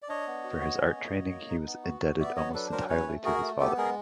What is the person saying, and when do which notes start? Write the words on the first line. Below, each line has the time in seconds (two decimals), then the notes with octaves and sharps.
For his art training he was indebted almost entirely to his father.
0.02 D5
0.08 D4 C#5 D#5
0.27 B3
0.44 F#4
0.61 B3
0.79 C#4
0.97 A#3
1.14 F#4
1.31 A#3
1.49 D#4
1.67 B3
1.84 F#4
2.02 B3
2.20 B3 D5 E5
2.36 F#3 C#5 D#5
2.54 D4 A4 B4
2.72 F#3 A#4 C5
2.89 C#4 B4 C#5
3.07 A3
3.24 F#4 G#4 A#4
3.42 A3
3.60 B3 G4 A4
3.77 G#3 G#4 A#4